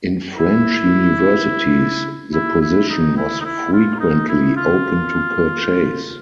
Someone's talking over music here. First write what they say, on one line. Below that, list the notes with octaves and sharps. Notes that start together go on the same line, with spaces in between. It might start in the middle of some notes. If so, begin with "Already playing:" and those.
In French universities, the position was frequently open to purchase.
E4
E4
E4
D#4
E4
D#4
E4
F4
D#4
E4
F4